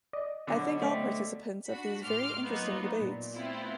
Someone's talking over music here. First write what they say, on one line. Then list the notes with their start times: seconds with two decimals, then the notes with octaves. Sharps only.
I thank all participants of these very interesting debates.
0.13 D5 D#5
0.47 B2 D3 F#3
0.82 A3 C4
1.67 D4 F#4 B5
2.03 A2 C6 D6 F6
2.42 F#3 A#3 B3 D#4 F4
2.99 A#2
3.33 A3 B3 C4 E4 F4